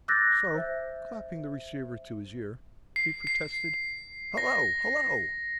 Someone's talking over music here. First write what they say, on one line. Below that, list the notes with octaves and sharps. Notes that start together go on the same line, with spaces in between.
So, clapping the receiver to his ear, he protested, "Hello! hello!"
D6 E6 F#6 G6 A6 A#6
C5 E5
C7
C7
A#6